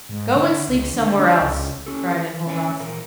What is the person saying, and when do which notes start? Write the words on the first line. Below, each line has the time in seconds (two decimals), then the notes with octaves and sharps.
"Go and sleep somewhere else," cried Enjolras.
0.09 G#2
0.35 D3
0.68 C#2
0.94 D3
1.19 D4
1.41 C#2
1.86 C#4 G4 A4
2.13 E3
2.46 D2 C#4 C#5 E5 G#5
2.79 D#2 A#2 E3 A#4